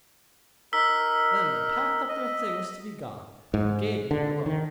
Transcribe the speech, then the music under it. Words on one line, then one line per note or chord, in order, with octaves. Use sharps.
Then they packed up their things to be gone, and gave me my load.
D#4 A#4 E6 B6 G7
D#5
G#2
D3
D#3